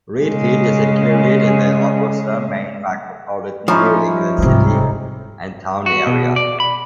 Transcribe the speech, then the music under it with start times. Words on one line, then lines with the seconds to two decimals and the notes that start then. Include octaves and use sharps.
Readfield is included in the Augusta, Maine micropolitan New England City and Town Area.
0.21 C#3 G#3
3.68 F3 C#4 D#4 E4
4.38 G#2 C3 G3
5.86 F#4
6.06 B2
6.36 D5
6.60 B5